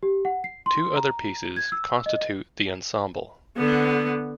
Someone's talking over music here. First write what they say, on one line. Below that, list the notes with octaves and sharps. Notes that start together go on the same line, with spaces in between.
Two other pieces constitute the "Ensemble".
G4
F#5
C7
C6
A#5
G#6
E6
D#5
D3 B3